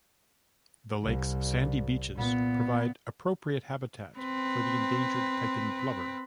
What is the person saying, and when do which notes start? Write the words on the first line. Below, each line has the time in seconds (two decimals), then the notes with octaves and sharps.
The lake's sandy beaches provide appropriate habitat for the endangered piping plover.
1.03 C2
2.15 A#2 B3
4.18 C4 B4